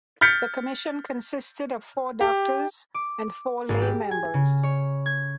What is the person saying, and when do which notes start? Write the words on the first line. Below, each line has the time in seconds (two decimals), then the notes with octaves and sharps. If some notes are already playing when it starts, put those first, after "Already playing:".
The commission consisted of four doctors and four lay members.
0.21 F6 G6 A6 B6 C#7
2.21 G4
2.94 D6
3.69 G#1
3.82 G4
4.11 G#5
4.34 C#3
4.63 C#5
5.06 G#6